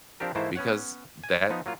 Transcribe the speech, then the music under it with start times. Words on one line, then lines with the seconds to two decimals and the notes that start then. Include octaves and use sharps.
because that
0.20 F3 C4 D4 G4 A#4
0.35 G#2 E3 A3 A#3 E4 C5
0.56 B3 C#4 C#5 F#5
1.24 G#5
1.50 F3 B3 D#4
1.66 F#3 A#3 F4